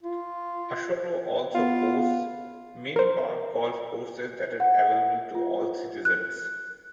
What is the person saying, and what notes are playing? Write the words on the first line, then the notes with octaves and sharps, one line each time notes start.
Ashoro also boasts many park golf courses that are available to all citizens.
F4
B3 F4
A#4 C5
F#5
F4
F#6